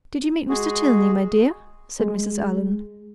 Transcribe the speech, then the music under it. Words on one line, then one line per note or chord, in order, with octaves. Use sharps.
"Did you meet Mr. Tilney, my dear?" said Mrs. Allen.
G#3 F#4 G#4
G#3